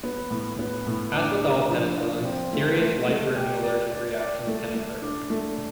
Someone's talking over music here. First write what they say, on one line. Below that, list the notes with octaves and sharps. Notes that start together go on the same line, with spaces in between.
As with all penicillins, serious life-threatening allergic reactions can occur.
B3
A2
B3
A2
D4
D4
F3
F3
C4
A3
A3
A3
G4
D5
D5
D5
A3
A3
D4
A3